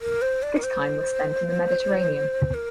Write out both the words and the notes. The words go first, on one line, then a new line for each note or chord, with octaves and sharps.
This time was spent in the Mediterranean.
A#4
C5
D5
A#4
C5
A#4